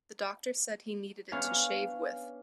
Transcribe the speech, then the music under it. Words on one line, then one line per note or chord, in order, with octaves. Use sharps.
But the Doctor said he needed it to shave with.
B3 C#4 D4 F5 G#5